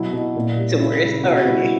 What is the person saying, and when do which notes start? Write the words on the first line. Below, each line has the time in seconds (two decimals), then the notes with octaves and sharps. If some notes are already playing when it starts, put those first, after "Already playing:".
to where it started.
Already playing: B2 F#3 E4
0.13 B2
0.36 A#2
0.57 G3
0.80 C#3 E4
1.02 C#3
1.24 B2 F#4
1.45 G3 E4